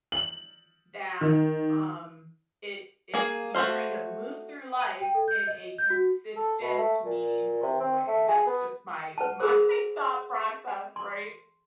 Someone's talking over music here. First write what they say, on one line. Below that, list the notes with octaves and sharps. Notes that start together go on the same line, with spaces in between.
that, um, it it you kinda move through life in a consistent, meaningful way. That's just my my thought process, right?
F#7
D#3
A#3 G#4
A3 F#4 A4 C5 F5
D#7
G5
A4
G6
D#5
G6
F#4
A4
B2
A3
A#2
C3
C4
A3
G#4
B3
B4 F#5 A5
G#4 A#4 C5
C6